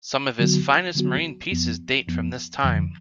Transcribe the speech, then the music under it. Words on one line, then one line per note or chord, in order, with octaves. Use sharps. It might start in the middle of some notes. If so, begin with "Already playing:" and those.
Some of his finest marine pieces date from this time.
D3 F#3 B3 F#4
D3 F#3 B3 F#4
F2 F3 B3
F2 F3 B3
F2 D3 F3